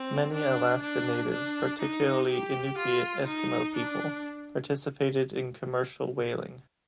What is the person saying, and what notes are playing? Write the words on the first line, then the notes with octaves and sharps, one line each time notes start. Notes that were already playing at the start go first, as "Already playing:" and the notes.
Many Alaska Natives, particularly Inupiat Eskimo people, participated in commercial whaling.
Already playing: C4
D4
D4
D4
D#4
G4
F4
D#4
D4